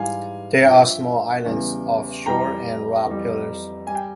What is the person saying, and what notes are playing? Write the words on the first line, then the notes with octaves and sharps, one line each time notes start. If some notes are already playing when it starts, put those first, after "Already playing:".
There are small islands off shore and rock pillars.
Already playing: G#2 E3 G3 F5 G#5
G2 F3 E5 G5
E2 C#3 E3 G3
F2 E3 G3 G5 A#5
F2 E3 G3
G3 G#5
G5